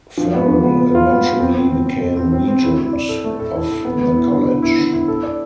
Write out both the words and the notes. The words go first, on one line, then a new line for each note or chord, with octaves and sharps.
Farel eventually became regent of the college.
F3
B3
F3
B3
B3
F4
B3
B3
C4
C4
C4
C4
A4
C4
C4
C4
E4
E4
D5
A4
A3
A4
E4
A4
B3
B3
E4
D3
E4
E4
D3
E4
A4
D5